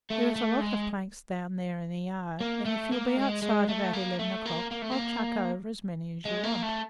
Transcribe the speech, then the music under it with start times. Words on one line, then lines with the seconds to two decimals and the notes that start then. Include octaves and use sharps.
"There is a lot of planks down there in the yard, and if you'll be outside about eleven o'clock, I'll chuck over as many as you want."
0.10 A3
0.36 A3
0.61 G#3
2.41 A#3
2.65 A3
2.92 A#3
3.17 G#3
3.42 G#3
3.69 A3
3.93 A#3
4.19 A3
4.46 A#3
4.71 A#3
4.82 A3
4.91 A#3
6.25 G#3
6.44 A#3
6.63 A3